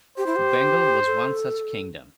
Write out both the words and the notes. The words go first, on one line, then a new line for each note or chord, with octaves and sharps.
Bengal was one such kingdom.
G4 C5
E4
G4
A4